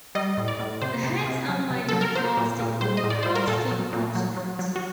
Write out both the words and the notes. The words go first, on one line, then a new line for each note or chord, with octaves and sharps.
The heads are made of plastic or calfskin parchment.
G3 D#5
A2
D5
A2
C3 C5
C3
C3
F#3
C3
F#3 A4
A#4
F#3 C5
A#2
A#2
G3 C5
D#5
A2
D5
G3 C5
A#4
A#2 A4
F#3
A#2
F#3
F#3
F#3
F#4